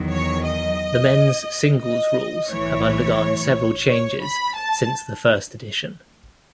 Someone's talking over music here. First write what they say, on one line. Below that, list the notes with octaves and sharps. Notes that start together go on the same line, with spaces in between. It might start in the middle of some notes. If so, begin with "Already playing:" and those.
The men's singles rules have undergone several changes since the first edition.
Already playing: E2 D#3 F#3
C#5
D#5
D#5
B1 A2 E3 C#5
C#5
B5
A5